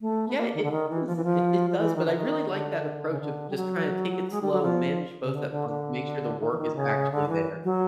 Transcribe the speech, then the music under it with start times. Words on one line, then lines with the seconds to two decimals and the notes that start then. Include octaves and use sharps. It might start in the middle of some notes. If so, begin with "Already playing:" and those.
Yeah, it is, it it does, but I really like that approach of just trying to take it slow and manage both at once to make sure the work is actually there.
0.01 A3
0.28 B3
0.37 A#3
0.54 D#3
0.63 D3
0.71 D#3
0.89 E3
1.07 F3
1.16 E3
1.24 F3
1.70 F3
1.78 E3
1.96 D#3
2.06 D3
2.16 D#3
2.50 D3
3.10 C#3
3.20 D3
3.50 G3
3.56 F#3
4.31 G#3
4.42 G3
4.52 F#3
4.62 F3
5.22 C#3
5.33 D3
5.51 D3
5.69 D3
6.40 D#3
6.51 E3
6.58 D#3
6.75 C#3
7.12 D3
7.28 E3
7.64 F#3